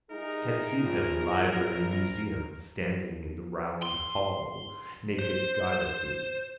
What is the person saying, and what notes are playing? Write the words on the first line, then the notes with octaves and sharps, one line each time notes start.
Can see them library museum standing in the round hall, naked goddesses.
G3 D#4 E4 G#4 A#4
A#1 F4
C6
C5